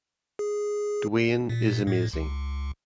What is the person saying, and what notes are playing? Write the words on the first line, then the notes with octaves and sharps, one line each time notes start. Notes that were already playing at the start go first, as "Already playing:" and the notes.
Dwayne is amazing.
G#4
A#2
A2
C#2